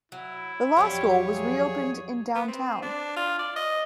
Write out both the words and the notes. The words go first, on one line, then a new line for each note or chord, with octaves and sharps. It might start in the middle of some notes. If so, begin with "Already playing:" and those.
The law school was reopened in downtown.
F#3 E4
F2 F#3 G3 F4 G4 C#5
G#4
B3
C4
D4
F4
D5
D#5